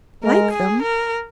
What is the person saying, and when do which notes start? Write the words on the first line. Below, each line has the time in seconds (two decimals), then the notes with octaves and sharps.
Like them!
0.23 G#3 A#4
0.52 G#4
0.82 A#4